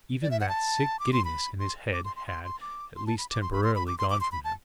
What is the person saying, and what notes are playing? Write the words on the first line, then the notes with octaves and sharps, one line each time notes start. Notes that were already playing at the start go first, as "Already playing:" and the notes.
Even that sick giddiness in his head had, at least temporarily, gone from him.
D5
E5
F#5
A5
D6
C6
B5
C6
D6
C6
C6
C6
C6
D6
C6
A5
B5
D6
C6
B5
C6
B5
D6
C6
D6
C6
B5
A5